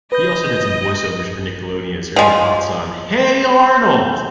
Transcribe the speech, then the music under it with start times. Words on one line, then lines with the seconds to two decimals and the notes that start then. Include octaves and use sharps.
He also did some voiceovers for Nickelodeon as Ernie Potts on Hey Arnold!
0.12 B4 D#5 G6
2.16 F3 G#3